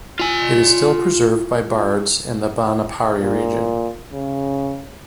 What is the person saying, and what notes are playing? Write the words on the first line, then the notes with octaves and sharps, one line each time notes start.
It is still preserved by bards in the Banaphari region.
F4 G#5
A#2
C#3